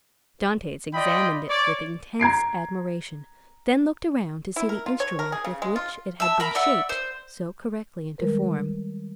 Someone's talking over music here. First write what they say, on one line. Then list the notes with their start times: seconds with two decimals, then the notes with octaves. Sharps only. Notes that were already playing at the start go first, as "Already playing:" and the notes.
Dantes examined it with intense admiration, then looked around to see the instrument with which it had been shaped so correctly into form.
0.94 F4 D5 D#5 G5 B5
1.49 C#5 D5
2.20 A#5 G#6 C7 D7
4.56 E4
4.69 A#4
4.86 F4
5.00 C#5
5.19 A#4
5.32 G#4
5.44 C#3
5.62 G#3
5.76 F4
6.20 E5 A5
6.40 A#4 B5
6.55 D5 E5 F#5
6.89 C5
8.18 D#3 G3 G#3 A#4 B4